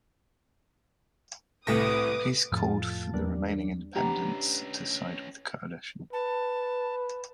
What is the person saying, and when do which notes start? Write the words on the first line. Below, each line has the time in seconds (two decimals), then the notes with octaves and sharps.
The piece called for the remaining independents to side with the Coalition.
1.67 C2 A2 A3 B4 G5 D6 D#6 A#6
2.52 F2 A2 F3 F5 A5 A6
3.14 E2 G3 A#3 D4
3.96 C#4 D4 G4 B4 F#5 A#5
6.13 B4 A5